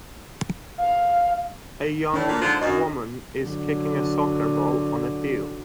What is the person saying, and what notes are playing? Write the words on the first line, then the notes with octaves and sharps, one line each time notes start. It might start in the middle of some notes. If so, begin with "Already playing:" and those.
A young woman is kicking a soccer ball on a field.
F5
A2 D4
D2 A#2
G#2 D3 F3
F#2 D#5
D3 F#3